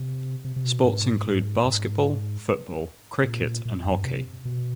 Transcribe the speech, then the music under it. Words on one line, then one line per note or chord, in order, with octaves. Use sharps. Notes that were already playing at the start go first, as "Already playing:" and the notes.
Sports include basketball, football, cricket and hockey.
Already playing: C3
C3
C3
B2
G#2
G#2
A#2
A#2
F2
G2
C3
B2